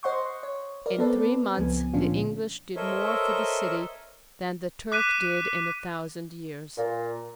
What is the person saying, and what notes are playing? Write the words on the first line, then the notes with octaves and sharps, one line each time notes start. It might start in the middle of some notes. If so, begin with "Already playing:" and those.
In three months the English did more for the city than the Turk did in a thousand years.
C5 D#5 F#5 C6 C#6
C#5
A#4 D5
B3 C4 A4 B4 D5
C#2 F3 B3 G#5
A#2 D3 F3 C#4 D4 F4
A4 A#4 C5 C#5 D#5 E5
D6 F#6 B6 D#7
A#2